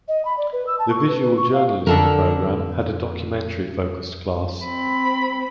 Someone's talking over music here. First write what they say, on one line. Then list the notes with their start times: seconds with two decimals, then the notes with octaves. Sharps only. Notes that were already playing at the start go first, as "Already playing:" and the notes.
The Visual Journalism Program had a documentary focused class.
0.08 D#5
0.25 B5
0.37 D5
0.53 B4
0.67 E6
0.79 A5
0.90 C#6
1.08 B4
1.22 B4
1.37 C#6
1.53 F5
1.87 F2 D3 A4 A#4
4.65 C4 B5